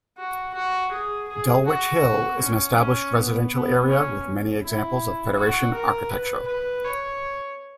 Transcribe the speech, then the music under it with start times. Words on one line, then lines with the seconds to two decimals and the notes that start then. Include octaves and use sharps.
Dulwich Hill is an established residential area with many examples of Federation architecture.
0.17 F#4
0.54 F#4
0.92 G#4
1.28 G#4
1.66 F#4
2.40 C#4
2.77 C#4
3.13 B3
3.51 B3
3.88 C#4
4.62 E4
5.36 F#4
5.73 A#4
6.10 B4
6.48 B4
6.84 C#5